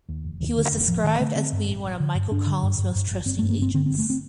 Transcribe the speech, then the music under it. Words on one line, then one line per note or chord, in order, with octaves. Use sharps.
He was described as being one of Michael Collins’ most trusted agents.
D#2
F1
D#2
D3
F1
A1 F3
A1 D#3
D3 A3
D3 C4
G2
A1
A1
D3
G2
G2 D4
D3
G2
G2
G2
G1
G1 C4
G2 A3
A#3
G1 C4
D3 C4
G1 C4
A3
C4